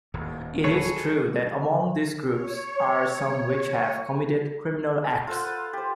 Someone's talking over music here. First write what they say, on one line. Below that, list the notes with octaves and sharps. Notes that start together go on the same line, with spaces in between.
It is true that among these groups are some which have committed criminal acts.
D#1 D#2 A2
G#4 A4 B4 C#5
C#5
C#5
F4 A4 C5 F#5
B4
G4 C5